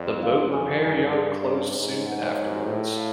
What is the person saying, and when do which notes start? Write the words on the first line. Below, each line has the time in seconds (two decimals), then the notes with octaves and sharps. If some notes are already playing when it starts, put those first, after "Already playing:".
The boat repair yard closed soon afterwards.
Already playing: F2 D5
0.23 F5
0.37 F2
0.53 G#5
0.83 G2 G#5
1.13 G#4
1.45 C#5
1.75 G#2 C#5
2.06 F#5
2.36 C#5
2.66 A2 C5
2.97 F5